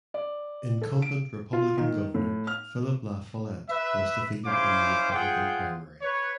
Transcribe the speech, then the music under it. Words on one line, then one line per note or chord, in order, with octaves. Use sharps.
Incumbent Republican Governor Philip La Follette was defeated in the Republican primary.
D5
A4
D7
F4
D#3
A2
F6
B4 E5
C#4 E4 C5 F5 D6
F4 G#4 C5 F#5 G5
B4 C#5